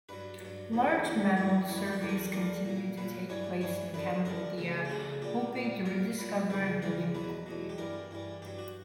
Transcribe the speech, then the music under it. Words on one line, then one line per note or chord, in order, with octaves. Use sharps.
Large mammal surveys continue to take place in Cambodia, hoping to rediscover living kouprey.
G2 F#3 B4
G2 F#3
E2 D3 F#3
E2 D3 F#3 G4
F#2 E3 G3 D5
F#2 E3 G3 C#5
B4
G4
D5
E2 D3 G3 C#5
A#4
F#4
G4
E2 D3 G3 A#4
A#2 F#3
A#2 F#3 B4
G2 E3 G3 C#5
G2 E3 G3 C#5
F#2 D3 G3 B4
F#2 D3 G3 A#4
D2 C#3 F#3
G4
D2 C#3 F#3 F#4
A#2 G3 G4
A#2 G3
A#2 F#3 A#4
A#2 F#3 B4
E2 C#3 E3 G3 B4
E2 C#3 E3 G3 A#4
E2 B2 F#3 B4
E2 B2 F#3
G4
G2 E3 G3 A#4
G2 E3 G3
G2 F#3 G4
F#4